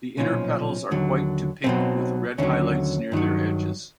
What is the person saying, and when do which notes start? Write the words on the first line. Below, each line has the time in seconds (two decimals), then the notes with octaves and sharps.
The inner petals are white to pink with red highlights near their edges.
0.17 B1 A#2 F3 C#4
0.91 D#2 D3 F#3
1.64 B1 B2 F#3 C4
2.38 D#2 D3 F#3 C#4
3.12 G2 D#3 F#3